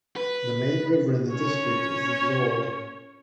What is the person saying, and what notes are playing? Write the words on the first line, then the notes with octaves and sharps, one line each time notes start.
The main river in the district is the Zorge.
B4
C#4 C#5